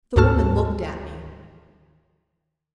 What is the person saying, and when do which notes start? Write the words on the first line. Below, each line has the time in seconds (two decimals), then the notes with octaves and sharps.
The woman looked at me.
0.16 D2 G#2 F#4 A4 A5 F6